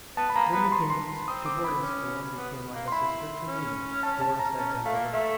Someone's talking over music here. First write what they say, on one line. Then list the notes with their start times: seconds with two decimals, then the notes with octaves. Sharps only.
"Then you came East to boarding-school and became like a sister to me," Dora said tenderly.
0.17 B3 A5
0.30 B5
0.35 A#3 A#5
0.53 B3 B5
0.65 B5
0.72 C6
0.90 C6
1.27 C4 D#6
1.46 D6
1.64 B5
1.82 C#4
2.38 B3
2.74 A#3
2.88 C6
2.92 E4 B5
3.48 C#4
4.03 A5
4.21 A5
4.39 A#5
4.58 C#4 A5
4.85 A3 F5
4.94 A#3
5.13 A3 E5